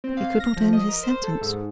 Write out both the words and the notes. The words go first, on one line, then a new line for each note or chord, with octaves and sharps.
He could not end his sentence.
C4
F5
A#6
F3
D#5
A#4
C5
A4
G#2